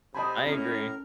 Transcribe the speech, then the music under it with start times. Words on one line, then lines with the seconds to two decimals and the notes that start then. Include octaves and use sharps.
I agree.
0.15 C3 C5 D#5 G#5 A5 B5
0.47 A2 C#4 A#4 A#5